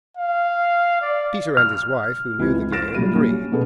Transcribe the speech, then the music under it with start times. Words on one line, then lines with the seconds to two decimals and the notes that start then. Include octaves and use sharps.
Peter and his wife, who knew the game, agreed.
0.17 F5
1.01 D5
1.57 F6
2.38 C#2 E3 C4 G#6
2.55 G#3
2.72 F6 A6 A#6 D7 E7
2.95 A#1 A#2 F#3 G3 D#7
3.15 C#4 G4
3.52 B2 B3 C4 G#4 A4